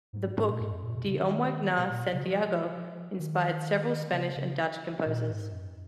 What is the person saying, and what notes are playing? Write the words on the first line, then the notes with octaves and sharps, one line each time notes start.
The book "De omweg naar Santiago" inspired several Spanish and Dutch composers.
G#2
G#2
A#2
G#2
F#2
A#2
B2
C#3
D#3
B2
A#2
B2
C#3
F3
D#3
C#3
C#3
A#2
G#2
F#2